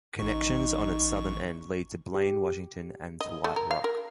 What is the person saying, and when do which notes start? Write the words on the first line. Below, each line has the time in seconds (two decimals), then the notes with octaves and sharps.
Connections on its southern end lead to Blaine, Washington and to White Rock.
0.19 A1 D#4 C#6
2.15 G4
3.21 D#5
3.44 A3
3.56 A#4
3.71 F5
3.84 A#4